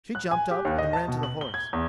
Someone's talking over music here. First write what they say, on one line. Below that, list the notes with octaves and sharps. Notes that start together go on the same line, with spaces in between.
She jumped up and ran to the horse.
F#6
G#5
G4
D#2
D#5
A5
B2
F#7
G7
G#6
E2